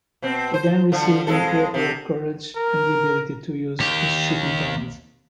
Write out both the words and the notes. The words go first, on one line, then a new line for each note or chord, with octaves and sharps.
He then received incredible courage and the ability to use his shooting talent.
B2 C4
C5
D3 F3
F2 G#3 A4
C3
A#4
D#2 G4